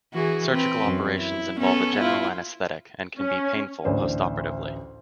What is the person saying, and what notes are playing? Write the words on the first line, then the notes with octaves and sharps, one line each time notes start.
Surgical operations involve a general anaesthetic and can be painful postoperatively.
E3 F#4 G#4
C4 B4
F#2
E4
B3 C#4 A4
E4 F4
C#4
A1 D2 C5 D5